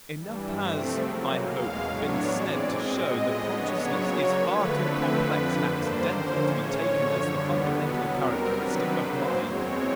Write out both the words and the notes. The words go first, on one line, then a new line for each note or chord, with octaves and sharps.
Enough has, I hope, been said to show that consciousness is far too complex and accidental to be taken as the fundamental characteristic of mind.
G2 E3 G3
C3 F3 A3 C4
C#3 F#3 A#3
E2 B2 G#3 F5
A2 F#3 B3 D4 C#5
G#2 E3 G#3 C4 D5
B2 G#3 C4 D#5
A2 F3 G#3 B3
C#3 F#3 B3 D4 C#5
C#3 F#3 A#3 C#5
D3 F3 A3 B4
D3 F3 A3 C4 B4
F2 D3 F3 B4
G2 D#3 G3 A#3 D4 C5
D3 F3 A#3 C#4 C5
A2 E3 G#3 C#4 C#5
F#2 D3 F3
D#2 D3 G3 B3
E2 B2 F#3 B3
B2 G3 C4 A#4
C3 D#3 F#3 B3 D4 B4
F#2 C#3 F#3 A#3 C5
E2 B2 G#3 C4 C#5